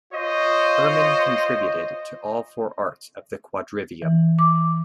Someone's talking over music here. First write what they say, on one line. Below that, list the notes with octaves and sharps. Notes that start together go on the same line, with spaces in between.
Hermann contributed to all four arts of the quadrivium.
F4 C5 C#5 D#5
E3
D6